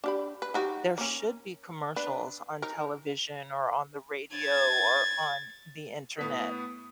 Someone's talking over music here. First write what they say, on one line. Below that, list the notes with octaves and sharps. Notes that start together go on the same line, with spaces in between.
there should be commercials on television, or on the radio, or on the Internet,
D4 G4 B5
B4
D#4 F#4 G4
A#3 C#4
D4 B4
D#4 A#4
G#6 A6
A2 B3 D#6 B6